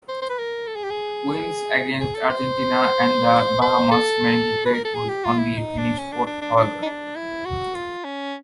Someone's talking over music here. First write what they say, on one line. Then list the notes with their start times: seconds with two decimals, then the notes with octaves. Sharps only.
Wins against Argentina and the Bahamas meant they could only finish fourth however.
0.09 C5
0.22 C5
0.29 B4
0.39 A#4
0.67 A4
0.75 G#4
0.83 G4
0.90 G#4
2.00 G#4
2.15 A4
2.30 C5
3.61 C5
3.91 A4
4.65 B4
4.75 A#4
4.84 A4
4.95 G#4
5.09 G4
5.24 F4
5.38 E4
5.58 D#4
5.78 D4
5.98 C#4
6.12 D4
6.27 D4
6.42 D4
6.57 D4
6.82 D#4
6.85 D4
7.16 E4
7.46 F#4
7.75 F4
8.04 C#4